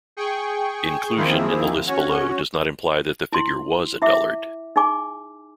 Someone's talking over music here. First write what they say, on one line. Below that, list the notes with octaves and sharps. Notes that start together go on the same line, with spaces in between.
Inclusion in the list below does not imply that the figure "was" a dullard.
G#4 G5 C#6
D#3 F3 A#3 C4 E4 G#4
C#4 F#4 C#5
E4 C6
E4 E5 D6
D#4 G#4 G#5 D6